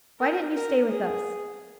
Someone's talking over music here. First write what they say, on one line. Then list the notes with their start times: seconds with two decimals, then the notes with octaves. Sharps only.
Why didn't you stay with us?
0.20 A#4
0.54 A#4
0.89 G#4